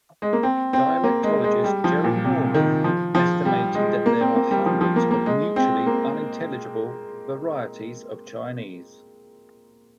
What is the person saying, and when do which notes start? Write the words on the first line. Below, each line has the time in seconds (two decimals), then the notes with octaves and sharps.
Dialectologist Jerry Norman estimated that there are hundreds of mutually unintelligible varieties of Chinese.
0.22 G#3
0.33 A#3
0.43 C4
0.73 C4
1.04 A#3
1.23 G#3
1.44 G#3
1.64 G3
1.84 F3
2.04 A#2
2.24 C3
2.54 D#3
2.84 F3
3.15 F3
3.45 G3
3.75 G#3
4.06 A#3
4.21 C4
4.36 A#3
4.51 G3
4.66 F3
4.81 F3
4.96 A#3
5.11 A#3
5.26 G#3
5.56 C4
5.86 A#3